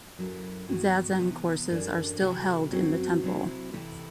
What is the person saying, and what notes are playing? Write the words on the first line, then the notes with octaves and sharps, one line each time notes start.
Zazen courses are still held in the temple.
F#2 F#3 A3 E4
G2 E3 B3 F#4
C3 E3 B3 E4
F#2 E3 A3 D4
D2 C3 F#3 A3 E4
F#2 F#3 C4 F#4
C3 F#3 C4 E4
C3 E3 A3 E4